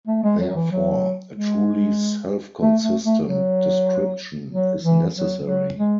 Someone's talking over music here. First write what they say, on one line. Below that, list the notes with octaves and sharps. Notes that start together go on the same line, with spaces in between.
Therefore, a truly self-consistent description is necessary.
A3
G#3
F#3
F#3
E3
F#3
G#3
A3
A3
A3
F#3
F#3
E3
F#3
F#3
G#3